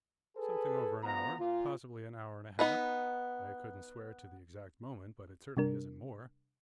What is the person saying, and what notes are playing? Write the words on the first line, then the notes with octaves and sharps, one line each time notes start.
'Something over an hour,--possibly an hour and a half; I couldn't swear to the exact moment, but it certainly isn't more.'
G#4 A4 B4
D2 F3 B3 A#5
A#2 F4
B3 D#4 B4
C3 G3 D4 A#4